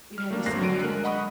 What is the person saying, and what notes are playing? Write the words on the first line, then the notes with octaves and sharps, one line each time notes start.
You had the same energy.
F6
A3 A#3 D4
G1 D#2 C4 F#6 A#6 C7
D3 F#3 D7 D#7
G#3 A#4 F#6
D#5 F#5 B5 C#6 D#6